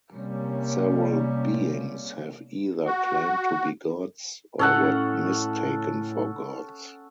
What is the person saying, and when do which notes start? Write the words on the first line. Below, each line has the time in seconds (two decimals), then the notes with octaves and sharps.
Several beings have either claimed to be gods, or were mistaken for gods.
0.13 C3 G3 A#3 C#4
2.85 F#4
4.59 A2 C#4 A4 F#5